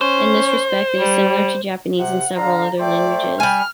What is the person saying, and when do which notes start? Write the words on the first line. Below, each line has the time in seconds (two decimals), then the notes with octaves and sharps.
In this respect it is similar to Japanese and several other languages.
0.01 C#4 C5
1.00 G3
1.99 C3 F#5
2.37 D3 F5 A#5
2.80 A3 C5 D5 G5
3.40 G3 G#5 F6